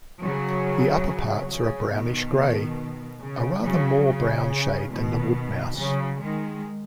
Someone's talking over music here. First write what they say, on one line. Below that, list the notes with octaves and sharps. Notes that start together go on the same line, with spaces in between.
The upperparts are brownish-grey, - a rather more brown shade than the wood mouse.
C#3 F#3
C#3
B2 D#3
C#3
C#3 F#3
C#3
B2 D#3
C#3 F#3
D#3 G#3